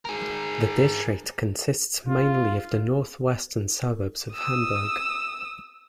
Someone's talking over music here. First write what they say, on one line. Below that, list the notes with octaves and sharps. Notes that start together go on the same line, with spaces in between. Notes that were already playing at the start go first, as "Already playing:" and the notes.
The district consists mainly of the northwestern suburbs of Hamburg.
G#4 A#4
F4
D#6 E6